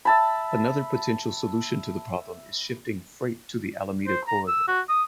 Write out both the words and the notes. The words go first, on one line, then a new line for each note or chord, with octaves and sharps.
Another potential solution to the problem is shifting freight to the Alameda Corridor.
E5 A5 B5
C5
A#5
E6
F#4
D#6